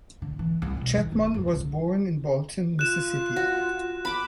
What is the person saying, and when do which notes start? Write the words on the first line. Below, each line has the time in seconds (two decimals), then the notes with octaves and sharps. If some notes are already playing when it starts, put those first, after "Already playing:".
Chatmon was born in Bolton, Mississippi.
0.22 D3
0.39 E3
0.62 C2
0.77 B2
0.97 D#3
1.12 D1
1.34 F#2
1.48 C2
2.79 F4 F#6 E7
3.36 F#4
4.05 B5 D6